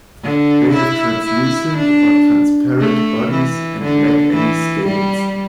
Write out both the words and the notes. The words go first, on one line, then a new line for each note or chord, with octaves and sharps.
They have translucent or transparent bodies, and lack any scales.
D3
E4
E4
D4
A3
E3
D3
E3
G3